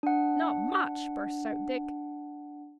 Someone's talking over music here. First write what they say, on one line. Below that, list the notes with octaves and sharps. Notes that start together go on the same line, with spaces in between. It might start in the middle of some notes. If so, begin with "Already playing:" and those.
"Not much!" burst out Dick.
D4 F#5